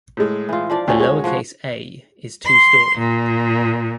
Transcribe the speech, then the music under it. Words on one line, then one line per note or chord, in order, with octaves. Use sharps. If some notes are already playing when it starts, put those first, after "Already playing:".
The lowercase a is two-storey.
A2 G#3
E3 F4
F3 D4 D5
D2 F3 C#4 F#4
G#3 C#5
F3 F#4
C6
A#2